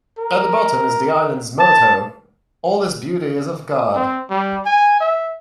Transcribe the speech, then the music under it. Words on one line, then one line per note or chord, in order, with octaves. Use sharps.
At the bottom is the island's motto "All this beauty is of God".
A#4
A5
C4
G3
G#5
E5